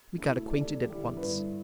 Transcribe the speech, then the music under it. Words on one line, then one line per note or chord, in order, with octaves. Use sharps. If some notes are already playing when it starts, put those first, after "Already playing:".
We got acquainted at once.
B2 A3 E4 A4
G3 D4 A4 D5
D3 G3 E4 G4
G2 D3 B3 E4 B4